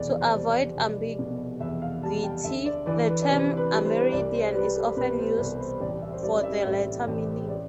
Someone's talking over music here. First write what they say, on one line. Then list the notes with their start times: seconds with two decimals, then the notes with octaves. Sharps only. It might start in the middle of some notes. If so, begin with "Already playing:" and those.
To avoid ambiguity, the term Amerindian is often used for the latter meaning.
Already playing: F1 E2 B2 D5
0.20 C5
0.35 G3
0.49 D5
0.76 F1
1.19 B2
1.60 E2 E5
1.82 F5
2.03 G3 A5
2.24 G5
2.44 D2 E5
2.65 D5
2.86 E3 D5
3.08 B4
3.22 D5
3.29 C3 C5
3.57 B4
3.71 G3
3.85 C5
4.12 C2 D5
4.34 C5
4.54 G3 B4
4.76 A4
4.97 B2 B4
5.18 C5
5.38 C2 D5
5.60 C5
5.80 A1 D5
6.02 E5
6.12 C5
6.23 G3 D5
6.40 D5
6.43 E5
6.65 A2 E5
7.07 A1
7.49 D5